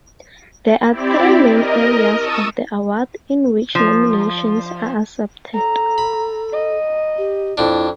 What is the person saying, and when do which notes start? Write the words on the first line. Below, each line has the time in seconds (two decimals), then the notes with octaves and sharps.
There are three main areas of the award in which nominations are accepted.
0.90 C4 E4 G4 D5
1.48 A#4 D#5
2.17 A5 C#6 D#6 E6 D#7
3.75 F3
5.54 A4 A#5
5.98 B5
6.52 D#5
7.18 G4
7.57 F2 D4 E4